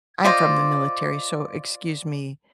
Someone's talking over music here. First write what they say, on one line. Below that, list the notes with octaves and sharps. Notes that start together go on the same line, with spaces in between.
I'm from the military, so excuse me,
F4 C5 D5 D#5